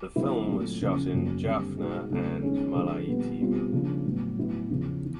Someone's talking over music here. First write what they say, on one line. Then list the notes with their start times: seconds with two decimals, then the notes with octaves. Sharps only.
The film was shot in Jaffna and Mullaitivu.
0.16 D3 F#3 B3 E4
0.48 A#2 F#3 A3 C4
0.81 E2 C#3 F3 A#3 C#4
1.13 F#2 C#3 F#3 A#3
1.46 D3 G3 C4
1.78 B2 G#3 B3 D#4 F#4
2.10 E2 C#3 F#3 A3 C4
2.43 D#3 G#3 C#4
2.75 D3 F3 G#3 C4
3.08 A#2 G3 B3
3.40 B2 G3 C4 F4
3.72 C#3 F3 A#3 D4
4.05 A2 F#3 B3
4.37 A2 F#3 B3 E4
4.70 E2 C#3 F3
5.05 E3